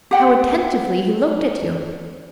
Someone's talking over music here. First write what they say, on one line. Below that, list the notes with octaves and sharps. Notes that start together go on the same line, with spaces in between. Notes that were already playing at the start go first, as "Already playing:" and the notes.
"How attentively he looked at you."
G4 F#5 G5